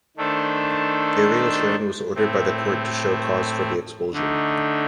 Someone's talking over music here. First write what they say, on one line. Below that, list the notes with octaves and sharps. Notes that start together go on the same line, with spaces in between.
Ariel Sharon was ordered by the court to show cause for the expulsion.
D#3 A3 D4 A4 C5
A2 A3 C4
D3 A3 D#4